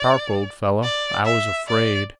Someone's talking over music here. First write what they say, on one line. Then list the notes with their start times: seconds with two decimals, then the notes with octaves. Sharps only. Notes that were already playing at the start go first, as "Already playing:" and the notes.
"Park, old fellow, I was afraid."
Already playing: D5
0.83 D5
1.25 E5
1.68 D5